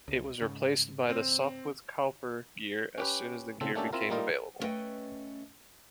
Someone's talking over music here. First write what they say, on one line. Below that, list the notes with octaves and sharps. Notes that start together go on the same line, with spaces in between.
It was replaced by the Sopwith-Kauper gear as soon as that gear became available.
C#2
G#2 C#3
C4
C#4 G4 B4
A#2 C#3 C4 A4
A3 A#3 C#4 D4 G4 A4
C4 E4 F4 A#4
G3 A#3 D#4 F4 A#4
A3 B3 C#4 B4 D#5 G5